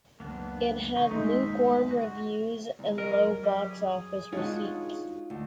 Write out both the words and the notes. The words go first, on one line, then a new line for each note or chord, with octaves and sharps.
It had lukewarm reviews and low box-office receipts.
C#2 F#2 A#3 B3 D4
B1 D#3 D#4 C#6
F#1 D#2 G#3 D#4 E5
F#4
C2
F#3 A#4 D#5
G3
G#4
G#3 D4 D#4 F4 F#4 C#5
D2